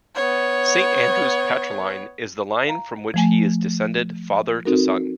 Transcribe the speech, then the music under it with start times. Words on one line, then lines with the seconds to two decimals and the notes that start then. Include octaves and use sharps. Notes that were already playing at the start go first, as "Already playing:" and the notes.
Saint Andrews's patriline is the line from which he is descended father to son.
0.15 B3 C#5
2.67 F5 A#5
3.14 F3 A3 G#5
4.65 C4 D#4 F#4 A4 A#4